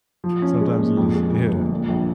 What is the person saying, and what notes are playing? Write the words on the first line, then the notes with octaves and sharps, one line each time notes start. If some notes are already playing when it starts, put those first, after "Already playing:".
sometimes you just Yeah.
F3
C#4
G#3
A#2
F2
G#3
C#3
G1
A#2
A#1